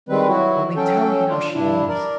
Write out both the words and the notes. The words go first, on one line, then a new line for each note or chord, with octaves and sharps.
Only tell me how she is.
D#3 G3 G#3 C4 B4
F#3 E4 F#4
F#3 C#4 A4 G5
D4 F4
G2 D4 E4
A#4 D5